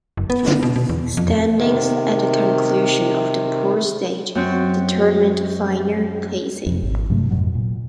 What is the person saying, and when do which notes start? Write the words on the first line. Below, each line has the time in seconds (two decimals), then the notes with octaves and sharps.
Standings at the conclusion of the pool stage determined final placings.
0.17 F#1
0.30 B3
0.48 D3
0.63 B2
0.76 B2
0.89 E2
1.17 F2
1.56 C3 D#3
4.35 F#2 C4 F#4
6.66 F2 C3
6.82 G#1
7.10 G2 C3 F#3 A3
7.31 F2 G#2 B2 F#3
7.55 A#2